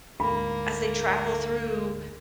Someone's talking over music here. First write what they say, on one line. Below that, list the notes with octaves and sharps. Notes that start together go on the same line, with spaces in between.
as they travel through
D2 G#2 A#3 B5